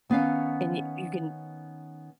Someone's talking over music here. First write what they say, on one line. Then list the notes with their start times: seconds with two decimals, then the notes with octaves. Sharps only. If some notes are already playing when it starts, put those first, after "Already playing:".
and you you can
0.10 D#3 B3 C#4 F5